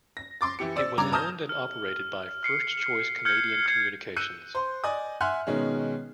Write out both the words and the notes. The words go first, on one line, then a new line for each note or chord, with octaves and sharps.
It was owned and operated by First Choice Canadian Communications.
A#6
C6 D6 A6
E3 E4 G4 C#7
C5 D5 E6 A6
G2 C#3 A#5 D6 G#6
A5 A#5 D#6 F6 G6 A#6
F6
F6 C7 C#7
F6 G6 G#6 C#7
F6 G#6 C7
E6 F#6 G6 C#7 D#7
C5 C6
D5 D#5 G#5 D#6
E5 F#5 G#5 C6 F6 F#6
B2 D#3 G#3 C#4